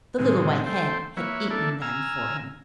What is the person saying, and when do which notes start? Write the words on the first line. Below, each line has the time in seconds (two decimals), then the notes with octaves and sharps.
The little white hen had eaten them for him.
0.18 A2 C3 D#3 G#3
0.66 A3 C5 G5
1.17 A#3 E4 B4 C#5
1.50 A3 A#3 D4 E4 A4
1.82 G#5 A#5 E6 F6